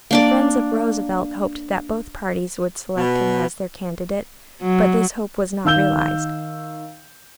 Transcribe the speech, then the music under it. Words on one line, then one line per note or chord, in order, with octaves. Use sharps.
The friends of Roosevelt hoped that both parties would select him as their candidate; but this hope was not realized.
A#3 D4 D5
B2
F#3
D#3 F5 E6 G6 G7